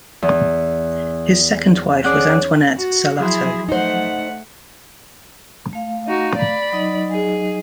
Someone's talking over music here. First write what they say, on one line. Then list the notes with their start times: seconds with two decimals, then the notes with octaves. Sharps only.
His second wife was Antoinette Salatto.
0.22 E2
2.04 C#4 G#4 D5 F#5
2.78 F#4
3.19 F3 F#3 E4 G#4 C6
3.69 A3 D#4 C5 F#5
5.73 A3 F5
6.07 D#4 F#4
6.37 D5 B5
6.72 F#3 D#4 D#5
7.11 G#4